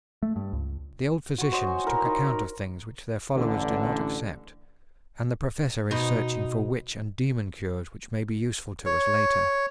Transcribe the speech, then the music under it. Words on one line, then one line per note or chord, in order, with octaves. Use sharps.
The old physicians took account of things which their followers do not accept, and the Professor is searching for witch and demon cures which may be useful to us later.
A3
G2
C#2
F#4 C#6
F#4 C5 C#5 D#5
G#5
E4 A#4
D#3
A1 D3
B2 D#4 C5
C#5